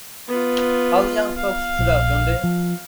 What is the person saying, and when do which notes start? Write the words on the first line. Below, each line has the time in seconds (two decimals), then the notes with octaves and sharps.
How the young folk shoot up, don't they?
0.28 B3 F4
1.38 F5
1.79 A#1
2.44 F3